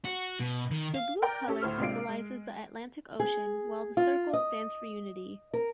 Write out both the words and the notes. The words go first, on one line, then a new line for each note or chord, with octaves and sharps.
The blue colour symbolizes the Atlantic Ocean, while the circle stands for unity.
F#4
B2
D#3
F5
A#4 D5 G5 A#5
C#4 G4 A4
D2 A2 C5 F6
C3 G#3 D4 F4 C7 D7
G#3
G#4
F4
D#5
A#4